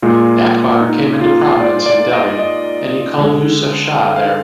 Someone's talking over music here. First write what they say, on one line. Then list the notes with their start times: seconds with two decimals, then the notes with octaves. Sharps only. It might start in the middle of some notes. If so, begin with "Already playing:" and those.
Akbar came into prominence in Delhi, and he called Yusuf Shah there.
0.02 A#2 G#3 F4
0.81 D#4
1.21 F4
1.60 D5
1.86 D5
2.13 D#5
2.39 D#5
3.18 D3 G#3
3.96 F5
4.16 F5